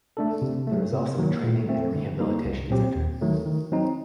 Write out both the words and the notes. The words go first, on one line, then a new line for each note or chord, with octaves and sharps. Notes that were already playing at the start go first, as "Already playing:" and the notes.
There is also a training and rehabilitation center.
A3 D4 A4
C3
F#3 A3
C3
D#3 F#3 A#3
A#2
A3 C4
D3
G3 A#3 D#4
C2
A#2 F#3 C4 G4
D#2
D#3 F#3 A3
D#3
F#3 C4 D#4